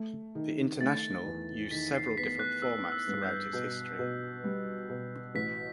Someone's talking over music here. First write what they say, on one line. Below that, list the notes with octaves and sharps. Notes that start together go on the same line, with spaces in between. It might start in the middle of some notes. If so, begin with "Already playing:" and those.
The International used several different formats throughout its history.
Already playing: A3
D#3
A3 A6
E2
D#3 B6
C7
B3 B6
F#6
B3 E6
E6
G2
G6
B2 G6
B2
G3
B2
A1 B6